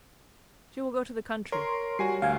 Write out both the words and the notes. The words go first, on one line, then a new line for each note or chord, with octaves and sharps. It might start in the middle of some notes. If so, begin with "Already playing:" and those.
"She will go to the country."
A#4 C#5 C6
G3 F#4 G#5 C7
D2 F5 G#5